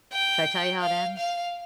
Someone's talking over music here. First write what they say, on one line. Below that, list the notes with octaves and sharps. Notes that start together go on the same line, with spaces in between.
should I tell you how it ends?
G5
F5
F5